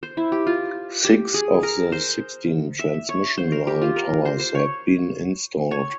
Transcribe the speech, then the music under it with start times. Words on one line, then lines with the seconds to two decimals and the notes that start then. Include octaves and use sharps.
Six of the sixteen transmission line towers had been installed.
0.03 C5
0.17 E4
0.32 G4
0.47 F4
1.05 G4
1.34 G#4
1.63 A#4
1.92 C5
2.79 E5
3.09 C#5
3.38 C5
3.52 A#4
3.67 G4
3.82 F4
3.96 A#4
4.25 C5
4.40 C5
4.55 C#5
5.71 C#5